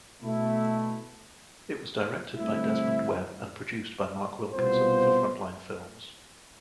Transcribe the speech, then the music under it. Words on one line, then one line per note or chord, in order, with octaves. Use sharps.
It was directed by Desmond Webb and produced by Marc Wilkinson for Frontline Films.
B2 A3 E4
G2 D3 A3 C4 E4
C2 B2 B3 F4 C5